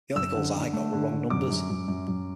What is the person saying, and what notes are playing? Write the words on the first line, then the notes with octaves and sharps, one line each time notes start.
The only calls I got were wrong numbers.
F#2 E6
D3
D3
A3
D3
D3
F#2 D6
F#2
F#2
F#2
F#2